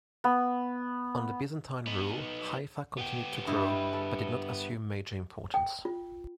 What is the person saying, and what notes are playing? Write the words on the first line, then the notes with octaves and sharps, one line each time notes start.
Under Byzantine rule, Haifa continued to grow but did not assume major importance.
B3
B3 D#4
B3 G4
G2 E4 D#5
A4
G5
F4